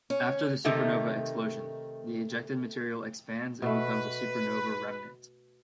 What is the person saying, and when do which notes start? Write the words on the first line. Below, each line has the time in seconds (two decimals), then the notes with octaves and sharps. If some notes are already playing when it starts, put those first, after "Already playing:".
After the supernova explosion, the ejected material expands and becomes a supernova remnant.
0.10 C#4
0.65 C3 D#3 A3 D#4
3.62 B2 A3 B4